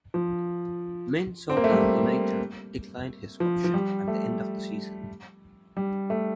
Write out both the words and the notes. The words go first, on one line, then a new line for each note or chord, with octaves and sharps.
Minnesota United declined his option at the end of the season.
F3
C4
A#3
A3
G3
F3
F3
G3
A3
G3
A3